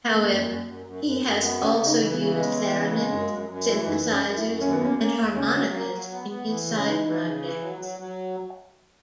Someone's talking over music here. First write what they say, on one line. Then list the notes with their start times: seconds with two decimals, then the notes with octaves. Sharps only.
However, he has also used theremins, synthesizers and harmonicas in his side projects.
0.11 F#2 A#3
0.30 F#2
0.48 F#2
0.67 F#2
0.86 F#2
1.04 F#2
1.23 F#2
1.43 B3
1.61 C#3 C#4
1.80 C#3
1.86 D#4
1.99 E3
2.12 B3
2.17 C#3
2.36 G#3 B3
2.55 E3
2.73 C#3
2.93 G#3
3.11 F#2
3.31 F#2
3.49 F#2
3.67 E3
3.86 F#2 D#4
4.05 F#2
4.11 C#4
4.24 F#2
4.36 E4
4.43 F#2
4.61 D#2 C#4
4.73 B3
4.81 A#3 C#4
4.99 A#3 C#4
5.18 D#2
5.36 C#3 C#4
5.55 F#3
5.74 A#3
5.93 F#3
6.12 B3
6.30 B3
6.49 E3
6.68 C#3
6.77 C#4
6.86 E3 D#4
7.06 E3
7.24 C#3
7.43 E3
7.61 F#3
7.81 F#3
7.99 F#3